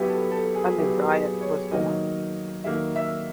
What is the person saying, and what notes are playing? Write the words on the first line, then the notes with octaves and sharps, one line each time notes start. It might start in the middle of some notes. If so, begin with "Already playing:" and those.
A new Riot was born.
Already playing: F#3 B3 E4 G4
A4
A4
G#4
F#3 B3 E4 G4
G#4
C#5
D#3 F#3 A#3 D#4 D#5
D#3 F#3 A#3 D#4 E5
E5